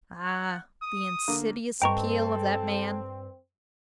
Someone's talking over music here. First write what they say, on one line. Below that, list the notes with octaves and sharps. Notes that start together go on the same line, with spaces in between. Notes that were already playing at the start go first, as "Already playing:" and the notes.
Ah, the insidious appeal of that man!
F#5
D#6
D3 A#3
G2 C4 A4 D#5 G5 A5 A#5 C#6